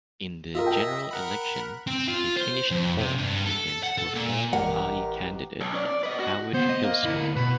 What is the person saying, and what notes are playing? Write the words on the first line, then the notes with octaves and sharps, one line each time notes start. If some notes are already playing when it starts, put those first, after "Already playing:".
In the general election, he finished fourth against Reform Party candidate Howard Hilstrom.
F4 A#4 D#5 E5
G5
A#4 F#5 B5
C4
F4
C5
F2
C3
G2
A4
F#5
A4
A#2
A1 G4 A#4 F#5
B1
C#4 D5
D5
B4 D#5
F#4
B3 C4 C5
D#5
A#3
D2 E4
B2 B4